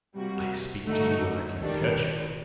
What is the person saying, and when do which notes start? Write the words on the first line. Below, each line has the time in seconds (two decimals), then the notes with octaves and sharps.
I speak to you when I can catch you.
0.15 C3 G3 A#3 F#4
0.87 D3 A3 D#4 F#4
1.59 D#3 G3 D4